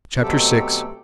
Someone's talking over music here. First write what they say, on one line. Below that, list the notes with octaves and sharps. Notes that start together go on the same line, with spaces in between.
Chapter VI.
B2 F#3 A3 C4 G4 A4